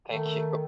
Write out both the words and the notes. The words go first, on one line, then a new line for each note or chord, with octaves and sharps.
Thank you.
D#3 A3